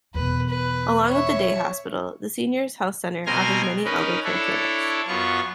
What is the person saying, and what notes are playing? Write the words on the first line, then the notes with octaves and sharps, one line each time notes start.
Along with the Day Hospital, the Seniors' Health Centre offers many Elder Care Clinics.
E2 B2 B4
B4
C#5 E5
B2 C4 G#5 A#5 C6 F6
C#4 D#4 A#4 B4
D4 E4 A4 C#5
F#2 B3 F4 C#6